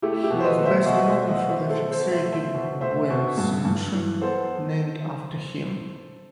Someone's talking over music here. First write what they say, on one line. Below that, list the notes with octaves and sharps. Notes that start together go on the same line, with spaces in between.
He is best known for the fixative Bouin solution named after him.
A3 E4 G4
E4 G4
B2
C5
B4 D#5
A3
C5 E5
B2 D#5 F#5
C5 E5
A3
D#5 F#5
B2 D#5
C5 E5
A3 A4 C5
A4 C5
B2
C5 E5
A3
C5 E5
B2
A3 C5 E5
B2
G2
G2
E3
B3 A4 C5